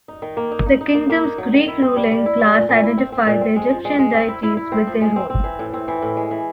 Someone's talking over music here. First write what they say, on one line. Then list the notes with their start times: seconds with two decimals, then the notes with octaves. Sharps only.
The kingdom's Greek ruling class identified the Egyptian deities with their own.
0.08 D#4
0.22 D#3
0.37 A#3
0.52 D#4
0.66 D#4
0.81 D#4
0.95 A#3
1.10 A#3
1.25 D#4
1.38 F#3
1.54 D#3
1.68 E4
1.82 C4
1.96 G3
2.11 G3
2.26 E4
2.41 G3
2.55 A#2
2.69 A#2
2.83 E4
2.98 C4
3.12 C4
3.27 A#2
3.41 C4
3.56 G#3
3.71 F3
3.85 G#3
3.99 G#3
4.14 C4
4.28 E4
4.43 E4
4.57 E4
4.72 C4
4.87 F3
5.01 G#3
5.16 C4
5.30 C4
5.44 E3
5.59 A2
5.74 C4
5.88 E3
6.02 A2
6.17 G#3
6.31 E3